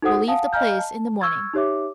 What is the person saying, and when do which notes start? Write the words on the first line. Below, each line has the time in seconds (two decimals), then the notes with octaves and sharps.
We'll leave the place in the morning.
0.02 D#4 F#4 A4 C5 F#5 D#6
0.28 F5 F#5 G#5 A5 D#6
0.53 D#5 F5 G#5 A#5 F6 G6
0.79 A5
1.21 C#6 E6 F6 G#6 A6
1.54 D#4 G4 C#5 E5 D6